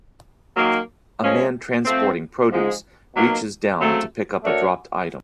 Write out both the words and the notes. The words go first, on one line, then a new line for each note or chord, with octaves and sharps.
A man transporting produce reaches down to pick up a dropped item.
D#3 F#3 A#3
A#2 F3 G#3 C#4
F3 A3 C4
G#2 F3 G#3
B2 F#3 A#3 D#4
C#3 F#3 A3 C4
A3 D4 F#4 A#4 C#5